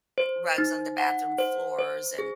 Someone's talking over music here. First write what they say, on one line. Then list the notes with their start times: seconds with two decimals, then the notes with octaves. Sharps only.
rugs on the bathroom floors and,
0.18 C5
0.58 D#4
0.98 F#5
1.38 C5
1.79 C5
2.19 G#4